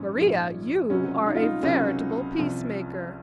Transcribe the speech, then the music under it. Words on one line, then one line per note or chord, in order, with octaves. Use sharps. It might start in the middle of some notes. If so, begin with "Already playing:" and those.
"Maria, you are a veritable peace-maker!"
Already playing: A#1 G#2 F3 C#4
A#1 G#2 F3
C#2 C3 F#3 C#4
D#4
F4
D#4
C#2 C3 F#3 C#4
C2 C3 F3